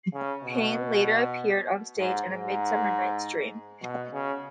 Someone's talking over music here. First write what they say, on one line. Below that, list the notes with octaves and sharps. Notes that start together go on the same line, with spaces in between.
Payne later appeared on stage in "A Midsummer Night's Dream".
C#3
B2
G#2
G#2
B2
C#3